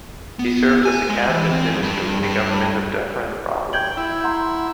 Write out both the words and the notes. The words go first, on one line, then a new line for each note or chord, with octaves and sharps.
He served as a cabinet minister in the government of Dufferin Roblin.
B3
G#5
G#3
E3
C4
F2
G2
G2
G5 G6 G#6 F#7
E4
F#5 A#5 C6